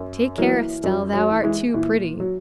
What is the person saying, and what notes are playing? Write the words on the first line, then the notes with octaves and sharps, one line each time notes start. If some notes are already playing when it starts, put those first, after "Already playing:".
Take care, Estelle, thou art too pretty!
Already playing: F#2
E3 F#3 A#3
F#2 F#3
F#3
E3
E3 G#3
A#2 E3
F#3